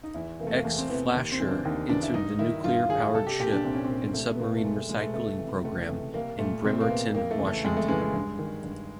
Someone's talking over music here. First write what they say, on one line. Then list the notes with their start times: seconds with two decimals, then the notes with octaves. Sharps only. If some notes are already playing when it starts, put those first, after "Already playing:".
Ex-"Flasher" entered the Nuclear Powered Ship and Submarine Recycling Program in Bremerton, Washington.
0.03 D#4
0.14 E2 E4
0.40 E3 A#3
0.43 C3 A3
0.55 A#3
0.65 E2 A3
0.78 C4
0.89 C3 E3 B3
1.15 D#2
1.32 C4
1.40 C#3 E3
1.48 D4
1.64 D#2 D#4
1.89 C#3 E3 D4
2.03 E4
2.14 G2 D#4
2.39 D#3 E4
2.64 G2 F4
2.89 D#3 G#4
3.14 C2 A4
3.27 G4
3.39 A#2 G4
3.53 D4
3.64 C2 C4
3.75 C#4
3.85 A#2 C4
4.14 C2 A3
4.35 B3
4.40 B2 A#3
4.57 A3
4.64 C2 G#3
4.76 A3
4.89 B2 G#3
5.01 A3
5.14 C#2 A3
5.39 C3 E3
5.64 C#2 A3
5.89 C3 E3 A3
6.14 C2 A#3
6.39 A#2 A3
6.64 C2 C4
6.80 A#3
6.89 A#2 B3
7.15 F2 A#3
7.31 A3
7.39 C#3 E3
7.48 A3
7.64 F2 G#3
7.77 A3
7.88 C#3 E3 G#3
8.02 G#3
8.13 G2
8.39 D#3
8.64 G2